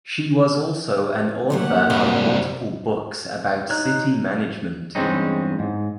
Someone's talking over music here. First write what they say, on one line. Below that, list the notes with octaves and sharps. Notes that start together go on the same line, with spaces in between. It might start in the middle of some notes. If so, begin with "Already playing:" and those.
She was also an author on multiple books about city management.
E3 F#3 A3 A#3 G4 F#5
C2 F#2 D4
D#4 C#5 F#6
D#4
E2 G2 G#3 C4 C#4 D#4
G#2